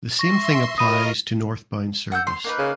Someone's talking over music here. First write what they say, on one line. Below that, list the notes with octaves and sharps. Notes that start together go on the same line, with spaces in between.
The same thing applies to Northbound service.
E5 C6 C#6 A#6
F4 A#4 D#5 B5 D#6 A#6 D#7
F#5 E6 G6
C6
A#3 D#4 B4
C#3